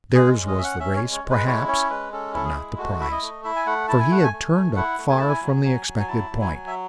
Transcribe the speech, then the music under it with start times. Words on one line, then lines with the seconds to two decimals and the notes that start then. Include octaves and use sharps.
Theirs was the race, perhaps, but not the prize, for he had turned up far from the expected point.
0.14 G#3 G#4
0.36 C#4
0.47 D#5
0.57 C#4 E5
0.64 F#5
0.80 C#4 E5
0.96 C#5
1.02 G#3
1.12 C#5
1.24 G#3
1.30 B4
1.46 E4 C#5
1.68 C#4 C#5
1.90 G#3 B4
2.12 C#4 A4
2.34 E4 A4
2.45 G#4
2.56 G#3
2.78 A3 F#4
3.00 E4 E5
3.11 D#5
3.22 A3
3.44 E4 E5
3.56 G#5
3.66 A3 F#5
3.88 E4 A5
4.00 G#5
4.10 A3 F#5
4.24 G#5
4.33 A3
4.54 A3
4.76 E4 F#5
4.98 A3
5.10 G#5
5.19 E4 A5
5.29 G#5
5.42 F#3
5.64 F#3
5.87 F#3
5.99 G#5
6.08 E4 A5
6.30 F#3
6.41 G#5
6.53 F#3
6.67 E5